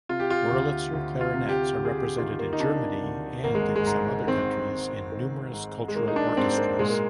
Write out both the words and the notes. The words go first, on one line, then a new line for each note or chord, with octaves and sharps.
Wurlitzer clarinets are represented in Germany and some other countries in numerous cultural orchestras.
C3 F4
G4
F4
D2
D2
F4
C3
G4
D2
G#4
G4
D#3 F4
A#3
D#4
C3 D4
D2
G#1 A#3
G#3
G#3
G#2
D#3 C4
G#1
D#3
G#2
G#3
D#3 A#3
D#4
D4
G#2 C4
C4
A#3
A#2 G#3
A#3